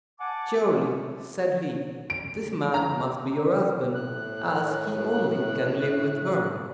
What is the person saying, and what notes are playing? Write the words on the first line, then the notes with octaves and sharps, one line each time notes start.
"Surely," said he, "this man must be her husband, as he only can live with her."
F#5 G#5 A5 D6
D7
A#5
A2 F#6